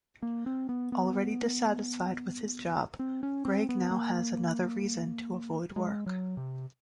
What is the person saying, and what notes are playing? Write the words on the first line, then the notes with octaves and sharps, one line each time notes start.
Already dissatisfied with his job, Greg now has another reason to avoid work.
A#3
C4
B3
B3
C4
C#4
C4
B3
A#3
G#3
F#3
C3